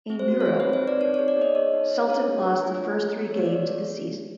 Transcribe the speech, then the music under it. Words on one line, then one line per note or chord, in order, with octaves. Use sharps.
In Europe, Celtic lost the first three games of the season.
C4
C5
F#4
C#5
C4 C5
D#4 B4
C5
C4
D5
D#4 C#5
G#4 C#5
D5
B3 D#5
B3 C#5
D#4
G#4
D4 C#5
A3
D4
F4
A3
A3
B3
B3 C#5
D5